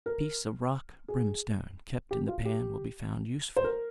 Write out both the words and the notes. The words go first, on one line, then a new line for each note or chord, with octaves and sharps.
A piece of rock brimstone kept in the pan will be found useful.
A#4
G#4
G4
F4
G4
C5
A#4